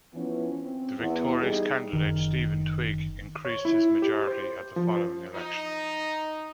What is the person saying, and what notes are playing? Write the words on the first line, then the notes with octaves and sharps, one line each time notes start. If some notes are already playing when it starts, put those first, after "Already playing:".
The victorious candidate, Stephen Twigg, increased his majority at the following election.
E3 F3 B3 C#4
C4
E2
G3 D#4 G#4
F#1 B1 D#3
C#5
E4
G4
C5
F3
D#4